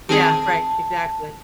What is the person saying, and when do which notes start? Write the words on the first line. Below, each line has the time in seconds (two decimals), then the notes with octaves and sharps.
Yeah, right, exactly.
0.09 D#3 C4 G#4 A5